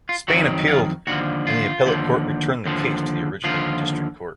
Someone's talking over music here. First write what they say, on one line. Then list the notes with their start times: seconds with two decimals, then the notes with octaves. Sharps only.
Spain appealed, and the appellate court returned the case to the originating District Court.
0.09 F4
0.28 F2 D#3 F#3 F#4
0.67 F4
1.07 D#2 D3 F3 F#4
1.47 F4
1.86 D#2 D3 F3
2.65 D#2 D3 F3
3.44 D#2 D3 F3 F4